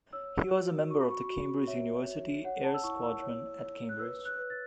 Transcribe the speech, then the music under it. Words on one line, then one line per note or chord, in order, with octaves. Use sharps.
He was a member of the Cambridge University Air Squadron at Cambridge.
C#5 E6
F#4
F#4 C#6
B5
C#6
F#4
C#5 E5
C#5
C#5 F#5
A5
E6
E4 C#6
E6
C#5
C#5
F#6
B4 E6
F#6
B4
A6